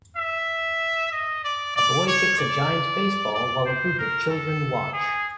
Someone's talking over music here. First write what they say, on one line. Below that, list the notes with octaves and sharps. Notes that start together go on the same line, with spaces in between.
A boy kicks a giant baseball while a group of children watch.
E5
D#5
D5
D5
C#5
D5
D5
C5
A#4
A4
G#4